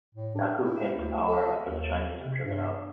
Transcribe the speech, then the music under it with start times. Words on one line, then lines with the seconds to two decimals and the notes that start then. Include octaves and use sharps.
Yaqub came to power after the Chinese were driven out.
0.15 A2
0.35 D4
0.61 E4
0.96 D2
1.27 A4
1.64 D#2
2.19 C3
2.43 G2